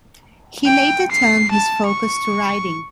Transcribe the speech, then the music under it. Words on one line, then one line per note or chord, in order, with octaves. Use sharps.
He later turned his focus to writing.
G5
C7
A5
C#6